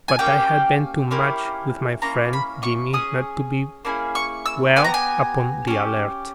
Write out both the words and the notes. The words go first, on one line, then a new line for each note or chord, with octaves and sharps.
But I had been too much with my friend Jimmy not to be well upon the alert.
G#5
A#3 C#4 G4 G5
A#3 C#4 E4 G4
A#3 C#4 E4 A#5
B5
C#6
C#4 G#4 D#6
A#3 C#4 E4 G#4
C#6
E6
B3 G4 G#5
A#5
G#5
C#4 G4